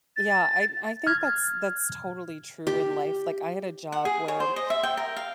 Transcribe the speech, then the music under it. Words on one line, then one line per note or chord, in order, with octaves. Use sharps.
Yeah, I I think that's that's totally true in life. Like, I had a job, where
A6
F6 G#6
G4
F#5
G#4
C#5
C5
D#5
E5
G5
A#4
F5